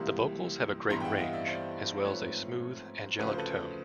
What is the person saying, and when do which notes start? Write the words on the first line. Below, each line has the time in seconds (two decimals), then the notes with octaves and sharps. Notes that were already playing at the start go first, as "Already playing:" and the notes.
The vocals have a great range, as well as a smooth, angelic tone.
Already playing: C#2 C3 E3 G3 A#3 C6
0.90 G2 E3 G3 B3 A#5 C6
1.00 G5
1.04 E5 F#5
1.19 D#5 F5
1.33 D5 E5
1.47 C5 D5
2.04 G#2 F3 A3 C4 B4 C#5
3.19 D2 C#3 F3 B4
3.28 C5
3.38 A4 B4